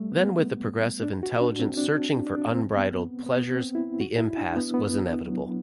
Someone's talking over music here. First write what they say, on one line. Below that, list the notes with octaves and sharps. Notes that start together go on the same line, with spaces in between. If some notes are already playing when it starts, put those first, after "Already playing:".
Then with the progressive intelligence searching for unbridled pleasures, the impasse was inevitable.
Already playing: G3 A3
B3
D4
F#4
D4
C4
D4
D4
C4
B3
B3
C4
E4
F#4
E4
D4
B3
B3
F#3